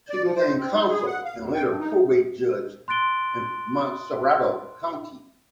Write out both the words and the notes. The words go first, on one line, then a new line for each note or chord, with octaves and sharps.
She became counsel and later probate judge in Montserrado County.
D5
F3
C5
C4
D#4
G#4
F#5
F5
E2
G5
G2
D#4
C6 F#6 A6 D7 G7